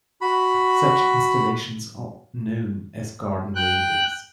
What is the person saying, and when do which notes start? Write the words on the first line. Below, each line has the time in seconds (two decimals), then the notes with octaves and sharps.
Such installations are known as garden railways.
0.21 F#4 B5
3.55 G5 F#6